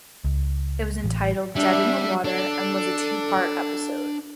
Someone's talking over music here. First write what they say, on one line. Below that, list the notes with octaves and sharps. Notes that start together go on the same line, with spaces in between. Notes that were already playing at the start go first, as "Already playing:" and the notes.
It was entitled "Dead in the Water" and was a two-part episode.
C#2
A1
G3 D4 E5
D4 A4